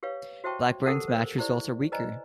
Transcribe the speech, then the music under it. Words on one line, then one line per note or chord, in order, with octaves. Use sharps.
Blackburne's match results are weaker.
G4 B4 C#5 F5
F#4 C5 E5 G5 A5 C#6
G4 A4 A#4 C5 F#5 A5
A#4 C5
E4 G4 C5 D5 E5 C#6
B4 C5 D5 D#5 G#5 A#5